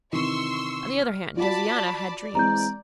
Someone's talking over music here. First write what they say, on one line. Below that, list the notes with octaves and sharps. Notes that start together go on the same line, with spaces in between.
On the other hand, Josiana had dreams.
C3 D#3 E3 C6 C#6 E6
F6
F4 F#4 D5 A5 B5
D5
E3 G#3 C4 A#5 G6